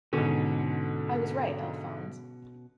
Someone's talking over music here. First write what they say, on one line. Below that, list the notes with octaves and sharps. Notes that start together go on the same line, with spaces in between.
I was right, Alphonse.
G#2 B2 D3 C#4